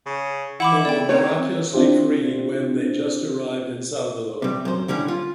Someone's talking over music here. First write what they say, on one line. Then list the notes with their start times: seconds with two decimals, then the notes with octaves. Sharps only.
They were miraculously freed when they just arrived in Salvador.
0.06 C#3
0.60 E3 E4 F#5 B5 D6
0.85 B3 D5 G5
1.09 D#3 C4 C#5
1.74 C4 D4 E4 F4 G4 C5
4.42 C3 G3
4.65 F#2 C5
4.88 D3 G3 C#4 E4
5.08 F4